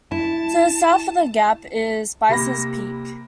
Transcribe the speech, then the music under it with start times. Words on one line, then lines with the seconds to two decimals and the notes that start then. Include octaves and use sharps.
To the south of the gap is Spicers Peak.
0.12 E4 A5
2.29 C3 A#3 B5 A#6